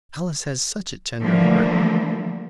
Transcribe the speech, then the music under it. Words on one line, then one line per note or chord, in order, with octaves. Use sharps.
"Alice has such a tender heart."
D3 E3 F3 G3 A3 A#3